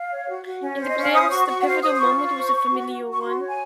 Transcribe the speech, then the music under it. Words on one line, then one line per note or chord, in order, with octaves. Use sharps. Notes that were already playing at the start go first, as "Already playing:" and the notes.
In the playoffs, the pivotal moment was a familiar one.
Already playing: F5
C#5
F#4
F#4
C#4
C5 C#5
D#5
C#4 F5
C5 D#6
F#4 C#6
F#4 C#6
F#5
C5 F5
C5 D#6
D#6
F4 C#6
F4
C5
C5
F#4
F#4
F#4
C#6
F#4 C6
C#5
G#5